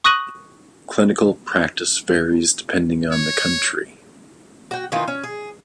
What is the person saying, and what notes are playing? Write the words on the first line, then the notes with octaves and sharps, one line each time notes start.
Clinical practice varies depending on the country.
C#6 D#6 F#6 A#6 D#7 F#7
C#5
F#4 G5
D#3 E3 D#4 F4
C#4
G#4